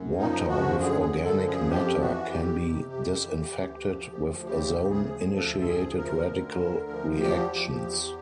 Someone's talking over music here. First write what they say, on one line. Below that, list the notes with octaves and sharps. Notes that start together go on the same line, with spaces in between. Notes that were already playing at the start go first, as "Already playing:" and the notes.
Water with organic matter can be disinfected with ozone-initiated radical reactions.
Already playing: F#2
F3 D#4
F#2 F#4
D3 G#4
G#4
F#2
A4
F3
G#4
F2 G4
E3 F#4
F2 G4
C3
F2
E3
D2
F3
D2
C#3 G4
D2
G#4
F3
D2 A4
A4
F3 G#4
D2 A#4
D3
D2
F3
E2 G4
F3
E2